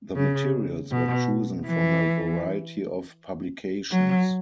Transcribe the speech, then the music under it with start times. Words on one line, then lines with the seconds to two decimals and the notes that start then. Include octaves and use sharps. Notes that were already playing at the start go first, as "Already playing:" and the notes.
The materials were chosen from a variety of publications.
0.16 C#3
0.92 B2
1.67 E3
3.92 F#3